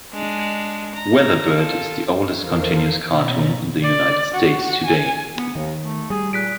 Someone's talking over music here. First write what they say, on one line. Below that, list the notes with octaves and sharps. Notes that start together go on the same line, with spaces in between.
"Weatherbird" is the oldest continuous cartoon in the United States today.
G#3 D4
A#5
F4 A4
E2 A4 A#4 C5 F5 C7
B2 C#4 A#5 B5 A6
D5
F#4
G#5
B3
D#2 D#3
A3
G3 G#4
A#2 F#6 B6 D7